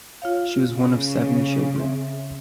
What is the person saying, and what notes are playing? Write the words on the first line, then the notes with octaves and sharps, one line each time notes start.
She was one of seven children.
F4 C#5 F5
C#3
C4 E5